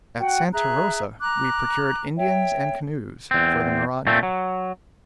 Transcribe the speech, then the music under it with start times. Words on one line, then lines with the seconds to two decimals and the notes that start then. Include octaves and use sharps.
At Santa Rosa we procured Indians and canoes for the Maranon.
0.20 F#4 F#5 G5
0.52 G#4 E5 A#5 F#6
1.21 A#5 D6 F#6
2.16 C#5 E5 G5
3.31 E2 C4
4.07 A#2 A3 C4
4.23 F#3